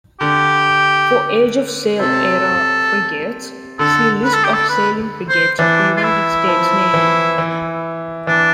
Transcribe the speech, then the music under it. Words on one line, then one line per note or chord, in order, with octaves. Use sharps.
For age-of-sail era frigates, see List of sailing frigates of the United States Navy.
D3 G4
C3 A4
D3 A4
B4
A4
G4
A4
B4
C5
E3 D4
F4
E4
F3
E3
E3
E3 D4